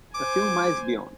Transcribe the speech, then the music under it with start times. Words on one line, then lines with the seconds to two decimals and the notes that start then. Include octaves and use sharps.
A few miles beyond.
0.15 C5 G#5 D6